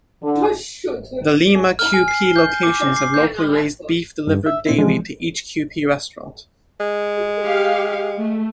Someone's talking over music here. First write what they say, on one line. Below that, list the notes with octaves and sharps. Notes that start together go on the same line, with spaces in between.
The Lima Kewpee locations have locally raised beef delivered daily to each Kewpee restaurant.
D3
F6
G#5
C7
G7
G6
D6
D6
C7
G6
G2
E5 E6
A#2 C4 E4
E3 F3 G#3
G#3
G4 F5
A3